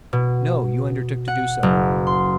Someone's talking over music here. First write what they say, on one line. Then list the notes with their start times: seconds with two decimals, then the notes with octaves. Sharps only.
"No!--you undertook to do so."
0.13 B2
1.28 F#5
1.63 F#1
2.07 C6